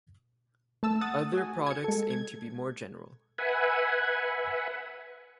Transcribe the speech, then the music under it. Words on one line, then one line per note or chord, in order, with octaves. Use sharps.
Other products aim to be more general.
A3 A5 E6
F#5 D#6 A6
F#4 G#5
G#6 C#7
G#3 A4
G#6
B4 E5 F#5 G#5